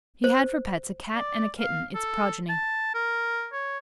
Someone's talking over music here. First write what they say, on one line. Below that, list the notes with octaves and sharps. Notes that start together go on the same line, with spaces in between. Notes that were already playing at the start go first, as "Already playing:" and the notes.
He had for pets a Cat and a kitten, its progeny.
C5
D5
F5
A4
A5
A#4
C#5